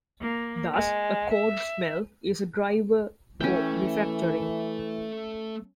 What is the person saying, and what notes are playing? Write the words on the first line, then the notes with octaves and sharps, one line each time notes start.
Thus, a code smell is a driver for refactoring.
A#3
G#3
E5
E3 A3 C#4 G5